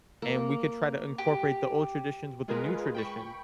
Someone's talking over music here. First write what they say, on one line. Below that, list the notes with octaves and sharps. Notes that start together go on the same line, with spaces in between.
and we could try to incorporate the old traditions with the new tradition,
A#3
G4
G#3 F4 G#4 A#4 B4
G5 B5 C#6